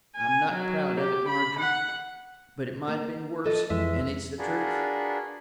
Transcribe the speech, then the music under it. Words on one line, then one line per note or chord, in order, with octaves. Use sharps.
I'm not proud of it, Margery, but it might have been worse, and it's the truth.
G#5
F#3
G4
B5
F#5
A#3
F3 A4 D#5
F2 E3 G#3 E5
D4 F4 F#4 G#4 A#4 B4